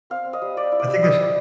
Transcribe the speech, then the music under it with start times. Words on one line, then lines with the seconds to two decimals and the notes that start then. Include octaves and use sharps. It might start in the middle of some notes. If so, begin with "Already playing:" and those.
I think there's
0.10 C4 F5
0.25 C4
0.33 D#5
0.42 G3
0.57 G3 D5
0.72 E4
0.80 D5
0.88 G3
1.02 E4 D#5
1.18 G3